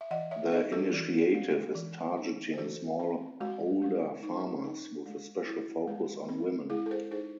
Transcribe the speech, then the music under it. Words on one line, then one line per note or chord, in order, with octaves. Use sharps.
The initiative is targeting small holder farmers, with a special focus on women.
E5
E3 D#5 F#5
C#5 E5
D#4 C5 D#5
F#4 A4
E3
G#3
E3
D#4
C5
E3 F#4 A4
C4
G#3 F#4
G#3
D#4
D#4
G#3
E4
G#3
C4
G#3 E4 G#4
A4
G#4 C5
D#4 G#4 C5